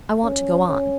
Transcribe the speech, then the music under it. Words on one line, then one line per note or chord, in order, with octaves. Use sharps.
"I want to go on."
C#4
C#4